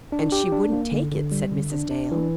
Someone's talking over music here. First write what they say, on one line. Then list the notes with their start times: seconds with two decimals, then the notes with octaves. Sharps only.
"And she wouldn't take it," said Mrs. Dale.
0.12 D4
0.32 G4
0.52 D4
0.72 A#3
0.92 D3
1.12 D3
1.32 G3
1.52 D3
1.72 D4
1.91 D4
2.11 E3